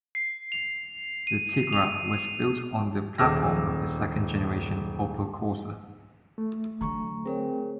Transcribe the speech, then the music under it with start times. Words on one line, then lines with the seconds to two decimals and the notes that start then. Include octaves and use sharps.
The Tigra was built on the platform of the second generation Opel Corsa.
0.15 C7
0.52 F7
1.27 D#7
1.73 F7
3.18 D#1 G#4 D6 E6 F6 A#6
6.38 A3
6.81 D3 F#3 A#5 C#6
7.26 C4 G#4 A#4 C#5